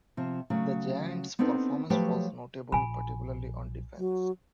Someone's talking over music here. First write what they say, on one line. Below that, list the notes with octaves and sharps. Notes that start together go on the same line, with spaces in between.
The Giants performance was notable, particularly on defense.
C3 F3
C#3 F#3 A3
B3 C4 D4 D#4 A4 B4
F3 F#3 A3 G4 B4 C#5
A#1 G#5 B5
F#3